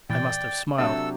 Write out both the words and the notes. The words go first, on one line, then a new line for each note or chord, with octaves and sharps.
I must have smiled.
A#2 E3 D5 G5
C3 F#3 D4 A4 E5 E6